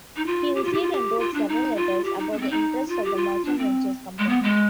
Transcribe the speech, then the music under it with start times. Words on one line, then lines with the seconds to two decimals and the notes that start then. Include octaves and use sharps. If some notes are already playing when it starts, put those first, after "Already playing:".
He received and wrote several letters about the interests of the merchant venturers company.
0.16 D#4
0.26 F4
0.55 G4
0.64 F4
0.73 G4
0.82 F4
0.92 G4
1.20 F4
1.34 D4
1.48 D#4
1.76 F4
2.05 G4
2.18 D#4
2.32 D4
2.38 B3
2.41 C4
2.51 D#4
2.88 F4
3.04 G4
3.16 F4
3.45 D4
3.59 C4
4.19 G#3
4.29 B3
4.43 G#3